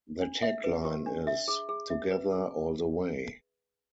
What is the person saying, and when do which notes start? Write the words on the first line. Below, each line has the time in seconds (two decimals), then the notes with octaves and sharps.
Their tag line is 'Together, all the way.
0.21 D4
0.42 E5
0.64 B4
0.85 G4
1.06 D4
1.27 E5
1.48 G#4
1.69 G#4
1.90 E5
2.11 B4
2.32 G#4